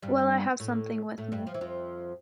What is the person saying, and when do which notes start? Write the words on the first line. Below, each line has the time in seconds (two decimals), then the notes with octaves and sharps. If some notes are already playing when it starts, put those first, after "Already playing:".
Well I have something with me.
0.02 G2 G3
0.60 A2 A3
1.18 A2 A3
1.32 G2 G3
1.47 F3
1.54 E3
1.61 F2 F3